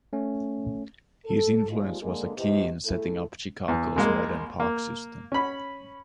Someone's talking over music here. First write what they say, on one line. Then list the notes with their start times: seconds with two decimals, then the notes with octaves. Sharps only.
His influence was key in setting up Chicago's modern park system.
0.13 A3 C#4
1.25 A4
1.69 F3 G3 G#3 A#3 D#4 F4
2.01 D3 G#3 A#3
2.35 E2 G4 C5 D#5
2.85 A3 E4 G#4 A4
3.68 E2
3.96 C2 G#3 A#3
4.60 A#3
5.32 C#4 B5